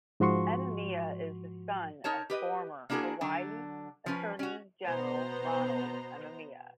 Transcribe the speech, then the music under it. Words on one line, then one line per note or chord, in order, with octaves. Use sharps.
Amemiya is the son of former Hawaii Attorney General Ronald Amemiya.
G#2 F3 F#4 C6 C#6
D#4 A#4 C#5 A5
G4 B4 D#5
A#3 D4 E4 F#4 G#4 A#4
D3 F#3 D4
F3 C#4 B4
C#4 F#4
B2 B3 C5 A#5